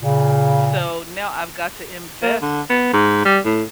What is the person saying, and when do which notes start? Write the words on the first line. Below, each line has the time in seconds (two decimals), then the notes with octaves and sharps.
so, now I've got to invest
0.01 A#2 C#3
2.22 A#3
2.42 D3
2.70 B3
2.93 G#2
3.25 G3
3.45 A2